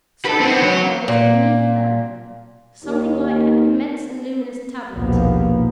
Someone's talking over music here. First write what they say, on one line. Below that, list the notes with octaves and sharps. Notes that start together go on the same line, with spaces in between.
Something there was beneath them--something like an immense and luminous tablet.
A4 B4
B3 C4
F#3 C#5
A#2
D#2
A#1 D#2 B2 F3 A#3 B3